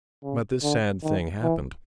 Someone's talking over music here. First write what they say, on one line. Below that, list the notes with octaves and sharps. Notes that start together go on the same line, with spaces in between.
But this sad thing happened.
C#3
D3
D#3
E3